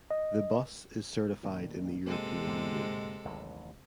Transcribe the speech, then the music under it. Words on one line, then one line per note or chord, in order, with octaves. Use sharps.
The bus is certified in the European Union.
D#5
G2 A#2 D#3
C3 G#3 A#3 A4
G#2 D3 A#3
A1 D#2 F#3